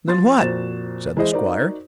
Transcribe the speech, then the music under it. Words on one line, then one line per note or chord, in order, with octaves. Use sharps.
"Than what?" said the Squire.
F3 C6 A6
F2 A#2 F#4 C5 A6 E7
E3 G#3 E4 G#4 C5 D#5
D#4 F#4 A#4 C5 D5